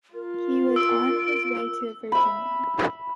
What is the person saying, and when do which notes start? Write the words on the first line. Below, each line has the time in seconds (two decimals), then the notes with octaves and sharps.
He was on his way to Virginia.
0.14 F4 A#4
0.76 E6 D7
2.12 E5 B5